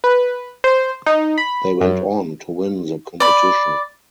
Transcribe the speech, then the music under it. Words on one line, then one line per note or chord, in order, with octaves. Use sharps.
They went on to win the competition.
B4
C5
D#4
B5
F#2
D5 B5